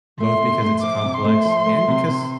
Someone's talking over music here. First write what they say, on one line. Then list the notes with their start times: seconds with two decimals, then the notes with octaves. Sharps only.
both because it's complex and because
0.20 A3 C6
0.41 C3
0.62 A3
0.83 F3 D6
1.04 C3
1.14 C6
1.24 A3
1.45 F3
1.66 A3
1.88 C3
2.08 C3